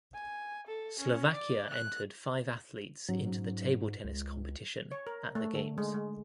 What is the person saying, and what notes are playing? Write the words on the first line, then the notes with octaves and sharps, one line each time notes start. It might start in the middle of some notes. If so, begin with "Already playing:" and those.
Slovakia entered five athletes into the table tennis competition at the games.
G#5
A4
C#4
D5
F#6
G#2 F#3 C#4
C#2 G#3
C#5
A#4
A3
D3
G#3
G#3